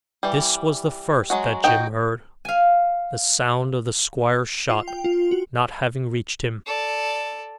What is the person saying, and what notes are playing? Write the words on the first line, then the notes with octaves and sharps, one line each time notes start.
This was the first that Jim heard, the sound of the squire's shot not having reached him.
E3 G3
F#3 G#3 F#4
D#4 F#4 G5
F5 G#5
F4
G5
F4
F#4
A4 D5